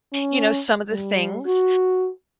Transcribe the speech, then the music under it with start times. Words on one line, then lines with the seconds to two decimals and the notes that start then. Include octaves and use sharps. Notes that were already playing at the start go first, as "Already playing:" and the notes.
you know, some of the things
0.13 C#4
0.89 G3
1.47 F#4